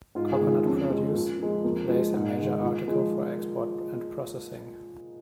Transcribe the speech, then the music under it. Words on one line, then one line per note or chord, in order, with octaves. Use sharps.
Coconut produce plays a major article for export and processing.
G#2 F4
G#4
D#3 G#3
F4
F2 C#4
F3 G#3
A#2
F3 G#3
F2 A#3
F3 G#3
G#2
D#3 G#3
A#2
F3 G#3